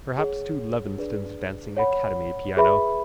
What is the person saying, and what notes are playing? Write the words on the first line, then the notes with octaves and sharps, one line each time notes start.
Perhaps to Levenston's dancing academy piano.
G#4 C#5 F#5
D4 G#4 B4 D5
C#5 F#5 B5
G#4 B4 E5 B5